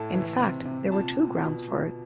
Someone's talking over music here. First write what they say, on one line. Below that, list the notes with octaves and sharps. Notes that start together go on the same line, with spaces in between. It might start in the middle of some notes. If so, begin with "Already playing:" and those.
In fact, there were two grounds for it.
Already playing: A2 A5
E3
C3
C3
A#2 A5
A#2
B2
B2